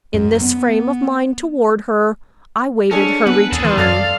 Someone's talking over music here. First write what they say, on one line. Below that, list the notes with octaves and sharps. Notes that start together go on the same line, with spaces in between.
In this frame of mind toward her, I waited her return.
F#2
B3
C#4 D4 G#4 A4
B3 B4
E2 G#4 A4
E3 C6
F#2 A4 D5 F5 A6